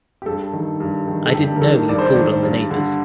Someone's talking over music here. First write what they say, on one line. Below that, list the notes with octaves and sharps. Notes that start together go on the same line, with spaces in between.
I didn't know you called on the neighbours.
G4
G2 A4
D#3
G2
D#3
A4
G2 G4
A#4
D#3 A4
G2 D5
C5
D5
D#3
G2
D3